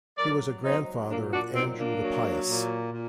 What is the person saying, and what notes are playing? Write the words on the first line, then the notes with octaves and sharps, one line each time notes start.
He was a grandfather of Andrew the Pious.
F#3 A#4 D5
F#3 C4 D#4
A#2 A#3 D4
D4 F#4
F#3 C4 D#4
A#3 D4
F#3
A#2
A#2